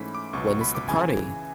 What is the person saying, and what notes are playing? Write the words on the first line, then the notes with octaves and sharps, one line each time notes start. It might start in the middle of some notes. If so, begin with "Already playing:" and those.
When is the party?
Already playing: G#2 E3 A3 C#4 B5
D6
C#2 B2 F#3 B3 C#6
C#6
B5
D6
C#3 E3 G#5